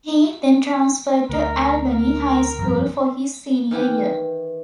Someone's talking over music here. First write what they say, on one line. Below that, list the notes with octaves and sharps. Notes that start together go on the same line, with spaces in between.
He then transferred to Albany High School for his senior year.
D2 A#4
A#4
G1 F2 G3
D#3 E3 E4 G4